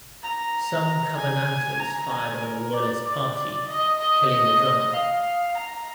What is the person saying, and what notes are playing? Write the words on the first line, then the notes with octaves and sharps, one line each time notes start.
Some Covenanters fired on the Royalist party, killing the drummer.
A#5
G#5
A#5
G#5
A#4
D5
D5
D#5
D#5
F5
A#5